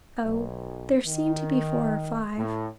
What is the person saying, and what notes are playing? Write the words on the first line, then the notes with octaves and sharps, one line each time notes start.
Oh--there seem to be four or five.
B1
D#3
A2